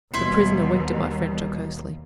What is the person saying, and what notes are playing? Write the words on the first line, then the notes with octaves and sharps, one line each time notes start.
The prisoner winked at my friend jocosely.
D#2 B2 G3 E4 C6